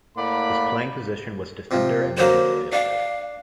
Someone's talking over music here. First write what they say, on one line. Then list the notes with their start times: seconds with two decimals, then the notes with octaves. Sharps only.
His playing position was defender and midfielder.
0.16 A2 A#3 D5 F#5 B5
1.71 C3 F3
2.18 D3 F#3 A#3 C5
2.73 D4 F5